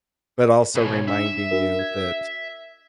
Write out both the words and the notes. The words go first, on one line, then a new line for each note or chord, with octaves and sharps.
but also reminding you that
B2 C#4
D4 E5
D4 F#4 A#4
G#6